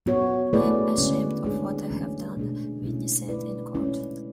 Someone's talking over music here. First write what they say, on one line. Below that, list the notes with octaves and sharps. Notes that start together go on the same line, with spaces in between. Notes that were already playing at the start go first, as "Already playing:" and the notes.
"I'm ashamed of what I have done", Wheatley said in court.
B3 F#4 C#5
A3 E4 G#4 B4 D5
D3 G#3 C#4
G#3 D4 G#4
E3 A3 C#4
B2 A3 D4 G#4
B2 G#3 C#4 E4
A3 E4 B4 D5
G#3 C#4 E4